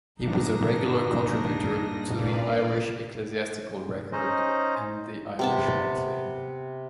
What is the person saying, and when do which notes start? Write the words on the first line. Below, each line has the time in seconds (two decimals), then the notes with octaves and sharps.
He was a regular contributor the "Irish Ecclesiastical Record" and the "Irish Monthly".
0.21 G2 A#2 D3 D4 D#4 A#6
2.19 A1 A#2 B4 D5 F5
4.12 C#4 D#4 C5 D#5
5.39 C3 B3 A5